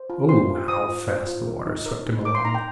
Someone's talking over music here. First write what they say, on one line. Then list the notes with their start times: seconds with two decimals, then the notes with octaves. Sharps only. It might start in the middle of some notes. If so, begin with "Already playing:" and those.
Oh, how fast the water swept him along!
Already playing: C5
0.10 F4
0.29 C5 C6
0.49 F4
0.68 C5 D#6
0.89 F4
1.08 C5
1.27 F4
1.47 A#4
1.67 D#4
1.86 A#4
2.06 D#4
2.25 A#4 D6
2.35 C6
2.45 D#4 A#5
2.55 G5